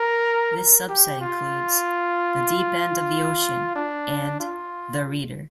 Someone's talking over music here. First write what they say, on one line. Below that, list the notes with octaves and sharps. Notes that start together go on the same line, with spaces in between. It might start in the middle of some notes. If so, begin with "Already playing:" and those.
This subset includes "The Deep End of the Ocean" and "The Reader".
Already playing: A#4
A#4
G4
F4
D4
F4